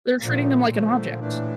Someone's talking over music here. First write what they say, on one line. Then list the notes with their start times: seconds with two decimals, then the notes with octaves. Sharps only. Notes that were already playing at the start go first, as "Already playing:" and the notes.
They're treating them like an object.
0.20 A#2 D3 F3 A3
0.70 A#2 D3 F3 A3
1.19 A2 E3 A3 D4